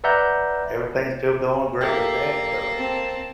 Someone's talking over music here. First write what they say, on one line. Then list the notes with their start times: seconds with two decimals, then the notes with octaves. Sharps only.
everything's still going great with that so
0.04 B4 D5 E5 F#5 A#5 G6
1.81 A#3 G4 A4 E5
2.72 C4 A5